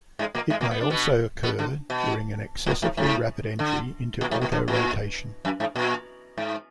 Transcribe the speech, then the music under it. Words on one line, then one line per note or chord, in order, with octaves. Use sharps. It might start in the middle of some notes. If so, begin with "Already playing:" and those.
It may also occur during an excessively rapid entry into autorotation.
G#2 G#3
A#2 A#3
G#2 G#3
A#2 A#3
B3
D4
B2 B3
B2 B3
D3
B2
A#2
G#2
G#2
D3
A#2
G#2
A#2
D3
A#2
F#2
G#2
A#2
G#2